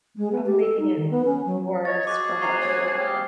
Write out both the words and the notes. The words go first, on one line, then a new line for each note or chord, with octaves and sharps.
Probably making it w worse for her, yeah.
G#3
B3
G4
A4
D#4
D#3
B3
C#4
F#3
C#5 D#5 A6
F#4 G#4 D6
C5 A#5 C#6 C7
C#5
G4 G#4 F5